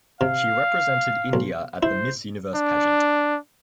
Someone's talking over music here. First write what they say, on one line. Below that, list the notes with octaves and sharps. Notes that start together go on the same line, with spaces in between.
She represented India at the Miss Universe pageant.
C3 F5
B1
E4 C5
D4